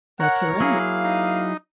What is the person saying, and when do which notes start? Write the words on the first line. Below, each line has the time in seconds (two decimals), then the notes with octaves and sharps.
That's right.
0.20 A#4 C#5 F#5
0.60 F#3 A#3 E4 G#4 F5
1.05 D#4